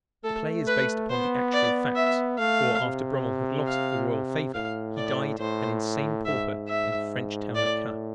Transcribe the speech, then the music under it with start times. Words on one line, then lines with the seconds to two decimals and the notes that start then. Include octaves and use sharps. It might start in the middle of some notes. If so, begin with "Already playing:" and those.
The play is based upon the actual facts; for after Brummel had lost the royal favor he died an insane pauper in the French town of Caen.
0.24 A3 A4
0.67 B4
1.10 B3 C5
1.53 D5
1.96 E5
2.39 A3 F5
2.82 C3
3.68 F5
4.54 A2 F5
4.97 D5
5.39 A2 C5
6.25 G#2 E5
6.68 E5
7.55 A2 D5